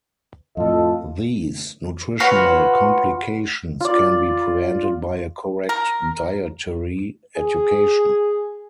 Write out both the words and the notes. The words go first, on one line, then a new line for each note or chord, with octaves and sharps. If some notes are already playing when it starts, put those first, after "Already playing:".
These nutritional complications can be prevented by a correct dietary education.
F2 A2 F4 A4 D#5
F4 F#4 B4 C#5
F4 D5
A#4
G#4